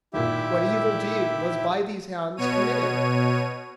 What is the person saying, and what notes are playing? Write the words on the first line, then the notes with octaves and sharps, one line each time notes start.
What evil deed Was by these hands committed?
G#1 A#2 E4 G4 E5
B2 C#5 D#7